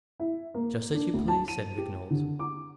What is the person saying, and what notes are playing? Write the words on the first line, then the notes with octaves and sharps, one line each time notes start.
"Just as you please," said Vignolles.
E4
A#3
D4
D2
A5
D#7
G4
D3
D6